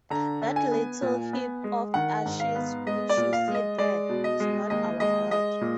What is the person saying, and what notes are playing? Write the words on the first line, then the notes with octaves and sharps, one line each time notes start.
That little heap of ashes which you see there is not our god.
D3 A#5
D3
G#5
B3
A#2
B3
G#3
D#3 F#5
G#2
F5
B3
G#3 D#5
D5
A#2
F5
G#3
D#5
G#3 D5
B2
D#5
G#3
D#2 D#5
G#3 D#5
G#3 D#5
A#2